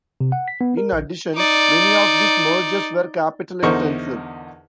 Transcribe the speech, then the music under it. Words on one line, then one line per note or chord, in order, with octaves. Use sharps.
In addition, many of these mergers were capital-intensive.
C3
F#5
B6
B3
A#4
A#1
D#4 D5
E2 D3 D#4 A#4 C5 C#6